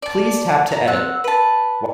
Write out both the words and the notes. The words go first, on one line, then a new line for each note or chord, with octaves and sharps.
Please tap to edit.
D5 A5
A5 A#5
C4 F#5
B4 A5